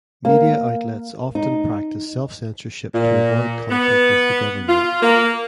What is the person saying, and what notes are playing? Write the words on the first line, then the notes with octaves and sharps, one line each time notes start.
Media outlets often practice self-censorship to avoid conflict with the government.
A#3
D#4
A#2
B3
F4
A#3